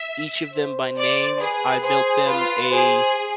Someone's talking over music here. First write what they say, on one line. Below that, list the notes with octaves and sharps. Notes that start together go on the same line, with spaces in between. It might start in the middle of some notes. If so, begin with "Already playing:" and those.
each of them by name, I built them a
Already playing: E5
C5
D5
G#4 B4
G#4 C5
F4 B4
G#4 C5